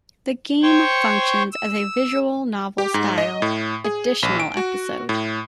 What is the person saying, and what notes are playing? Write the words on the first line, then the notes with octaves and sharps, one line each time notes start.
The game functions as a visual novel-style "additional episode".
C5 C#5 G5 C#6
E6
G4
G#2
D#5
A2
G#4
A#1
D7
F#4
A2